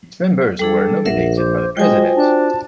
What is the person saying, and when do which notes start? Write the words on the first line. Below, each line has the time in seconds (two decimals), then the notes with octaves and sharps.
Its members were nominated by the president.
0.59 G3 D4 G#4 A4
1.05 A#1 A#4 E5 F#5
1.37 C5 D6
1.77 G#3 F4 F#4 C5 D#5 G5 G#5
2.16 D4 A5